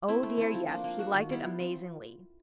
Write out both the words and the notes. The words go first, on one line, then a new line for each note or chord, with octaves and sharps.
Oh, dear, yes, he liked it amazingly!
A3 C4 E4
A3
C4 E4
F3
A#3 D4
A#3
D4 F#4
D#3
G3 B3 E4
F3
C4